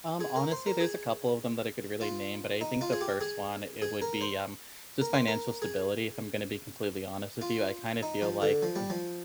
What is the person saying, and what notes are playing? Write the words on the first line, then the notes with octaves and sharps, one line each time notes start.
Um, honestly, there's a couple of them that I could really name, but I think the first one it would be, um, just financial stability, if I'm gonna be completely honest with you, I kind of feel like ugh
G#4
A#4
C5
A#4
G#4
F4
D#4
F4
G#4
G4
G#4
G#4
A#4
C5
A#4
C5
A#4
G#4
F4
D#4
F3
D3
F3
G3
F3